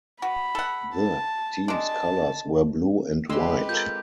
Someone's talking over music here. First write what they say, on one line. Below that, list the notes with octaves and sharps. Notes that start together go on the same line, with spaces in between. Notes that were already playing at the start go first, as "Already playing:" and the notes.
The team's colors were blue and white.
F#4 B5
A4 F#5
A5
G#3 D4 A5
G#3 C4 G4 B4 C6 E6
F4 A4 A#4 G6